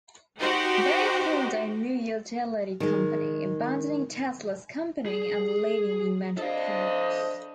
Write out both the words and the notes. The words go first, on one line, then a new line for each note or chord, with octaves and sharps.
They formed a new utility company, abandoning Tesla's company and leaving the inventor penniless.
D#4 F#4 G4 C5
D#3 G#3
G#4
D4 A4 C5 D#5 F5